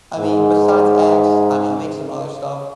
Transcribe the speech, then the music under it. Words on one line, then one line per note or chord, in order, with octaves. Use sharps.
I mean, besides eggs, I mean, I make some other stuff.
G#2